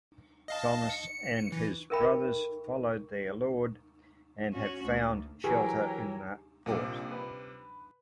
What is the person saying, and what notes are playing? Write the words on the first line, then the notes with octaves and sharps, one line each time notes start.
Thomas and his brothers followed their lord and have found shelter in the fort.
D#5 F5 A5
C#7
E3
A4 A#4 E5 G5 B5
C#4 F#4
D2
E3 F#3 G4 G#4 A#4 C#5 G5
A#1 C3 G3 D6
B4